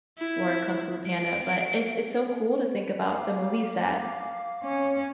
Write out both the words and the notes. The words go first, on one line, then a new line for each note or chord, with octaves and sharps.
or Kung Fu Panda, but it's it's so cool to think about the movies that
E4
D7
F5 D6
C#4